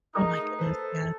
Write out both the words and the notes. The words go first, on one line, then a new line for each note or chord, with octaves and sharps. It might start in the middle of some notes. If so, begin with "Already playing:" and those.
Oh, my goodness, yes.
A3 D#4 G#4 A#4
A4 B4 C5